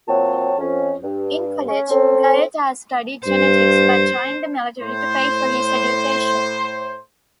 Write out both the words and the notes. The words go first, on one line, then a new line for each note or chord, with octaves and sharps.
In college, Gaeta studied genetics but joined the military to pay for his education.
A#2 F#3 C4 C#5 G5 A5
F2 C#4
G2
C#4
C4 C#4 A4
G2 C5
A2 C5